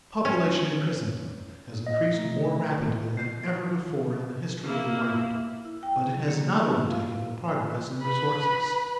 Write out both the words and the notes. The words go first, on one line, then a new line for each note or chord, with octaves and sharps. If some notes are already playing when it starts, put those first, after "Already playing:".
Population in Christendom has increased more rapidly than ever before in the history of the world, but it has not overtaken the progress in resources.
C#4
D#5
A3
C7
A#3 E4
E4
G5
F#3
A#3
E4
F4
F5
B4 B5